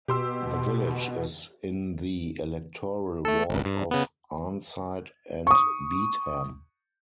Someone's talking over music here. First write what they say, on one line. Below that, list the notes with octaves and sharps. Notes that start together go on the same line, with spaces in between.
The village is in the electoral ward of Arnside and Beetham.
B2 G4 C6 E6
A3 A4
G#1 C#2
G2
C#3 B3
C#6 D#6